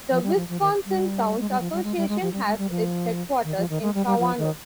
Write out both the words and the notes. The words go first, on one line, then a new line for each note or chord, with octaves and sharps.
The Wisconsin Towns Association has its headquarters in Shawano.
F3
G3
F3
F3
D#3
G3
G#3
G3
F3
G3
G#3
G3
G#3
F3
G3
G#3
G3
F3
D#3
F3
D#3
G#3
G3
G3
F3
D#3